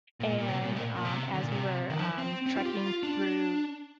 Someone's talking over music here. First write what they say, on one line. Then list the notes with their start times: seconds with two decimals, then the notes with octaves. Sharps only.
and, um, as we were, um, trekking through the
0.20 A#2
0.38 A#2
0.48 C3
0.62 A#2
0.71 A2
0.76 A#2
0.96 A#2
1.05 C3
1.34 D3
1.42 A#2
1.52 C3
1.90 D#3
1.99 F3
2.18 C4
2.46 C4
2.56 F4
2.65 G4
2.75 F4
3.03 D4